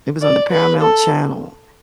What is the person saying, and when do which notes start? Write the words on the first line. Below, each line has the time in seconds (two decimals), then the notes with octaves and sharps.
It was on the Paramount Channel,
0.22 D5
0.52 B4
0.81 A4